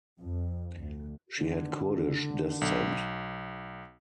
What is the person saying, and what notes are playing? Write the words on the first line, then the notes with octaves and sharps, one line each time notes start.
She had Kurdish descent.
F2
D2
D3
B1